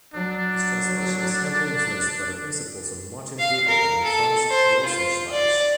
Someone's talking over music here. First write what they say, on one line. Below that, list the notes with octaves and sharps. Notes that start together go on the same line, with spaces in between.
His translation is heavily influenced by the principles of Martin Buber and Franz Rosenzweig.
F#3 D4
F5
A#4
A4
C5
F4
D5